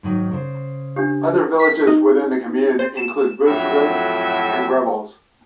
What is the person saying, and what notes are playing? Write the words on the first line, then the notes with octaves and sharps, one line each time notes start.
Other villages within the commune include Buschrodt and Grevels.
G#2 D#3 F#3
C#3 C5
D4 G4
B6
D#4
C5
E7
F2 A2 F#3 F#4 G4 E5